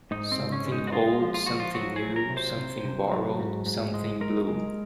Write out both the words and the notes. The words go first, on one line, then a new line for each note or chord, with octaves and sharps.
Something old, something new, something borrowed, something blue.
G#2 D#4
C4
G#2
C#4
G#3
D#4
F#4
G#3 F4
F3
F4
F3 F#4
F4
F#3 F#4
G#4
F#3
A#4
C3
C5
C3
C3
F#3
G#2
G#2
G#3
G#3 A#4
G#3